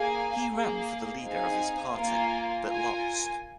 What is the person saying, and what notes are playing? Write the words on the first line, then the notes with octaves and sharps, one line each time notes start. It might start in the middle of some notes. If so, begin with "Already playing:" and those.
He ran for the leader of his party, but lost.
Already playing: A#3 G#4 F5 G#5
A#3 G#4 F5
C4 D#4 G#4 F5 G#5
A#3 F4 A#4 F5 G#5
F4 A#4 G#5